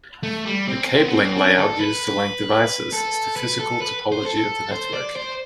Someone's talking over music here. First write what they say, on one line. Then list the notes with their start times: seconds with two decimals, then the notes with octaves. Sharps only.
The cabling layout used to link devices is the physical topology of the network.
0.23 A3
0.46 G3
0.68 C4
1.04 B3
1.13 C4
1.36 D4
1.58 A4
1.80 B4
2.93 A4
3.36 B4
3.59 A4
3.81 B4
4.12 C5
4.26 A4
4.72 C5
4.94 D5
5.16 C5